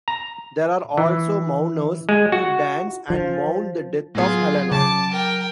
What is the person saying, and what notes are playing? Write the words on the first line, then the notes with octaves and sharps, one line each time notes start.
There are also mourners who dance and mourn the death of Helena.
A#5
E3
G#3
F#4
F3
A2 F#3 B3 F4 G#4
C#3 A5 D6
A#4 G5